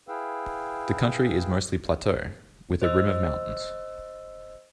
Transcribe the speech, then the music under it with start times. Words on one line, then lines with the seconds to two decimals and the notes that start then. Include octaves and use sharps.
The country is mostly plateau with a rim of mountains.
0.08 E4 G#4 B4 F5 G5 E6
2.82 C5 D#5 E6